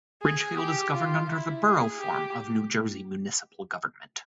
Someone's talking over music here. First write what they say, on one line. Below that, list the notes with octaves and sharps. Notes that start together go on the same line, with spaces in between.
Ridgefield is governed under the Borough form of New Jersey municipal government.
G#4
G4
F4
E4
G#4
G4